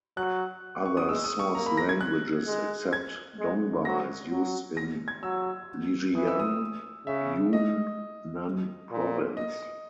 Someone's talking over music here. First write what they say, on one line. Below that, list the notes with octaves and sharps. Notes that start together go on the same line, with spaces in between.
Other source languages, except Dongba is used in Lijiang, Yun Nan province.
F#3 F#6
C#6
D#6
G#3 E6
D#6
C#6
A#3 A#5
B5
A#6
G#6
F#6
G#3
G#6
G#3
F#3 A#6
F#3
A#6
G#6
F#3 E6
E3 D#6
E6
D#6
C#3 E5
D#5
A#2
D#5